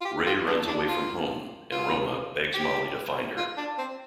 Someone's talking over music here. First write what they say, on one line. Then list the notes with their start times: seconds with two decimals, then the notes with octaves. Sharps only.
Ray runs away from home and Roma begs Molly to find her.
0.01 F4
0.05 G4
0.26 F4
0.47 D4
0.68 D4
0.88 F4
1.72 F4
2.54 G4
3.37 F4
3.57 D4
3.78 C4